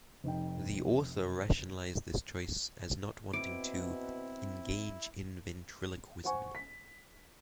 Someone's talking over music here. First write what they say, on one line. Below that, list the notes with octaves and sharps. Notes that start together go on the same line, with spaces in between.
The author rationalised this choice as not wanting to "engage in ventriloquism".
F1 D#4 G5
B2 C4 E4 D6
C5 F#5 G#5 C#6
B6